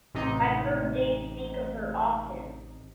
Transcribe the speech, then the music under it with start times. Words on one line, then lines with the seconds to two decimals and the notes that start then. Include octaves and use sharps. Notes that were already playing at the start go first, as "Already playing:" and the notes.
I've heard Dave speak of her often.
0.14 A1 C3 D#4